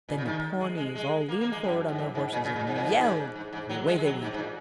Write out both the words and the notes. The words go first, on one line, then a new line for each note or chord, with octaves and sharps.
Then the Pawnees all leaned forward on their horses and yelled, and away they went.
A#2
C#3
D#3
G#3
G#3
G#3
A#3
A#3
G#3
F#2
G#2
F#2
G#2
A#2
C#3
A#2
G#2
A#2
G#2
A#2
G#2
G#2
G#2
F#3
G#3
F#3
G#2
G#2
A#2